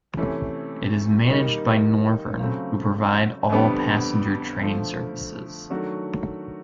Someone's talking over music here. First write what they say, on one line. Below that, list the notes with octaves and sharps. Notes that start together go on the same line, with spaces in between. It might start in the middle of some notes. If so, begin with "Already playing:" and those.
It is managed by Northern, who provide all passenger train services.
C3 E3 A3 C#4
D#3 G3 A#3 D#4
C#3 F#3 A3 C4 F4
F2 D3 G3 B3 D4
D3 F3 A3
D#3 F#3 A3 D4 F#4